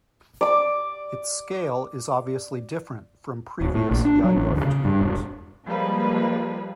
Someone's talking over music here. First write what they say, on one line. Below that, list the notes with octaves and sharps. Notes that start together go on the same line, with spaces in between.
Its scale is obviously different from previous Yayoi tombs.
D5 D6
D1
A2
A#1
D4
F#3
A1
D2
C#3
G2
E1
F3 G3 G#3 A#3 B4